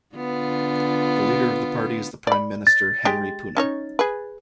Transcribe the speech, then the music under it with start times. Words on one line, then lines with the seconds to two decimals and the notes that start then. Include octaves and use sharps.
The leader of the party is the Prime Minister Henry Puna.
0.16 D3 B3 F4
2.27 D5 B5
2.67 A6
3.05 G#3 G4 G5
3.57 C#4 D#4 C#5
3.99 G#4 B4